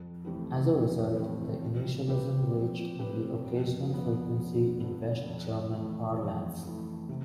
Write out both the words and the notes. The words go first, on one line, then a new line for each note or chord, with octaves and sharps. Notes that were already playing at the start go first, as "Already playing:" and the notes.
As a result, the initialism reached only occasional frequency in West German parlance.
Already playing: F2
E3 A3 C4 G4
F2
E3 A3 C4 G4
F3
C4 G4 B4
F3
C4 G4 B4
F2
D3 F3 B3
F2
D3 F3 B3
F2
E3 A3
F2
E3 A3
C3